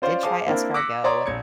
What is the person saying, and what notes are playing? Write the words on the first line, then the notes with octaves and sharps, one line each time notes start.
did try escargot,
C#4 F4 C5 D5 F5
G#4 C5 F5 A5 D6
A#3 C4 D4 E4 A#4
D6 E6 F#6 A#6 B6 C#7
C#5 D5 A#5 C6 D#6
A#1 G#6 C#7